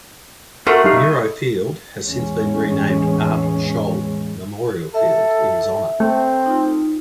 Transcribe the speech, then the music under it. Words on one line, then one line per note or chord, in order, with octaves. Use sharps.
Miro Field has since been renamed Art Scholl Memorial Field in his honor.
A3 F#4 A#4 C6
G3 D#4 F5
E4 D#5
E2 A2 G#3 C#4
A4 E5
A3 C4
D#4 F4